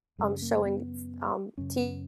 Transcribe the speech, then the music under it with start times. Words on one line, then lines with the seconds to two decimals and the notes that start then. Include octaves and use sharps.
um, showing, s um, TV
0.18 F#2 C#3 G#3
0.42 A#3
0.65 B3
1.58 F#2 C#3 C#4